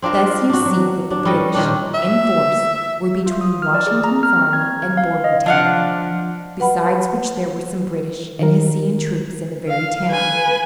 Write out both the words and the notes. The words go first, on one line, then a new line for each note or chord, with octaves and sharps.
Thus you see that the British, in force, were between Washington's army and Bordentown, besides which there were some British and Hessian troops in the very town.
C4 D4 F4 A#4
D4 F#4
F#3
D4
G3 C#4 A4 D#5
A#2 D#3 C#4 D4
E5
F4
D#6
F6
D5
G#4
A#5
F6
C4
G#6
G#6
F5
D#5
F3 D4 F5 F#5
B4 F#5 B5
D#3 A#4
F5
B4 G#5